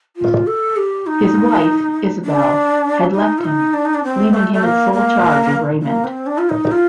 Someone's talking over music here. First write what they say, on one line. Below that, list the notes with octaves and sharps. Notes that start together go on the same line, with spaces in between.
His wife, Isobel, had left him, leaving him in sole charge of Raymond.
F4
A4
G4
D#4
D4
D#4
F4
D#4
D4
D#4
D4
C4
A3
A3
A#3
A#3
A#3
C4
D4
F4
D#4
F4